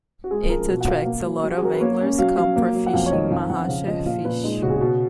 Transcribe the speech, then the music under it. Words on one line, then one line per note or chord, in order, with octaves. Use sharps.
It attracts a lot of anglers come for fishing mahasher fish.
F#4
G#3 G#4
F3 A#4
B2
F#5
B2 F5
A#3
F#3
F#3
F#4
G#4
F#3 A#4
B4
A#3 C#5
C#4
F#3 F5
F#3 F5
A#3
F#3
F#5
F2 F5
C#5
D#3 D#5
F2 F5
F2 F#5
C#3 F5
F3 D#5
A#2 F5
A#2 B4
G#3 D#4
C#3 F#4
G#4
B2 F#4